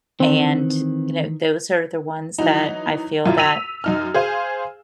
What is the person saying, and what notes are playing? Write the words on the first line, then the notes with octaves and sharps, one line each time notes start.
And, you know, those are the ones that I feel that,
D#3 E3 C4
E3 F#3 D#4
F#2 A#2 E4 F4
E6 B6 D#7 F7
F#2 D#4 F6
G#4 C5 F5 G#5